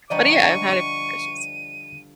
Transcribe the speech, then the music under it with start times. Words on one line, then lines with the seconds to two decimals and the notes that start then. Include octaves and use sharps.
But, yeah, I've had a few crushes.
0.10 D3 F3 G3 D5 D#5 A#5 C#6 D#7